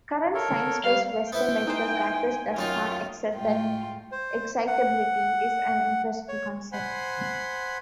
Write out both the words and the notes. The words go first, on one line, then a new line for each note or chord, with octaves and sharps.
Current science-based Western medical practice does not accept that excitability is an interesting concept.
A4 A#4 C#5
G3 F5
B3 E4 B4 C5 G5
D#4 C5 G#5
F#2 D#3 D#4 F4
A2 G#3 A3 F4 G5
C5
F#5
C#5
C5 F#5 G#5 B5 C6